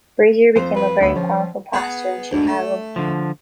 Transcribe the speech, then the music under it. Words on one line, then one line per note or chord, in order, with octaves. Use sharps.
Brazier became a very powerful pastor in Chicago.
F2 C5
B4
D2 D3 B5
F3 C#4
B3 G#4 F#5
D2 G#2
A3
D3 F3